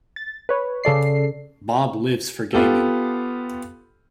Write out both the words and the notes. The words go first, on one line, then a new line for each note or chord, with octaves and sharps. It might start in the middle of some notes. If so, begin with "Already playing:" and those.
Bob lives for gaming.
A6
B4 C#5
C#3 A4 D5 C7
B3 F4 G4 A4